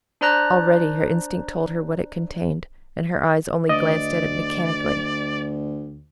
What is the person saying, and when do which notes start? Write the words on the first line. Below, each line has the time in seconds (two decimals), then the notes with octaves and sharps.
Already her instinct told her what it contained, and her eyes only glanced at it mechanically.
0.21 D4 C5 D5 A#5 F#6 A#6
3.69 D2 D5 D#5